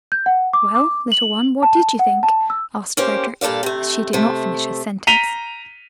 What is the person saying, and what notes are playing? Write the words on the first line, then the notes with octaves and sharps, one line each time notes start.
'Well, little one, what did you think?' asked Frederick, as she did not finish her sentence.
G6
F#5
D6
D6
F#7
A5
F#5
A5
E6
A#3 C#4 G4 C5
G2 A#2 A4 D5 F5
C3 A3
C3 A3
A#5 B6 D#7 F7 G7